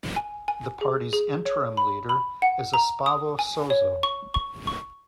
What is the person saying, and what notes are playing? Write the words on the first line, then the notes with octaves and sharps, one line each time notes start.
The party's interim leader is Espavo Sozo.
G#5
G#5
G#4
G#4
C#5
B5
B5
F#5
A#5
D#6
G#5
C#5
C#6
C#6
C#6